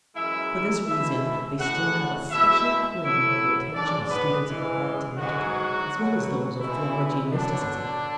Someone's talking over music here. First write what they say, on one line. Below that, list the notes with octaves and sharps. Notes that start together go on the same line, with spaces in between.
For this reason they still have a special claim on the attention of students of art and literature, as well as those of theology and mysticism.
F#2 E3 G#3 E4 E5
B2 G#3 E4 E5
A2 E3 G#3 F#4 F#5
B2 G#3 E4 E5
A2 F#3 E4 E5
G#2 F#3 D4 D5
B3 B4
G#2 E3 G#3
G#2 E3 F#3 G#3 F#4
B2 F#3
B2 E3 G#3 E4
B2 D3 F#3 D4